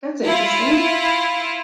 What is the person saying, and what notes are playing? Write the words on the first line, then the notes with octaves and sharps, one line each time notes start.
That's interesting.
E4 F4